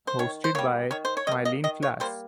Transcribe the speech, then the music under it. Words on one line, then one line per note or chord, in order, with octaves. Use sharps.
Hosted by Myleene Klass.
C5
D#3 C#5
C5
G3 A#3 C#5
D#3 C#5
C5
C#5
G3 A#3 D#5
D#5
D#3 D#5
C#5
G3 A#3 C5